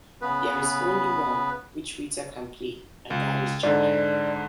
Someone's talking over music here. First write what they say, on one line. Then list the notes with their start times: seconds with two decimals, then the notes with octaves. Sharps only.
There is only one which Rita can play, and that is Jacky.
0.21 C#3 B3 B4
3.10 C#2
3.63 G#2 D3 D5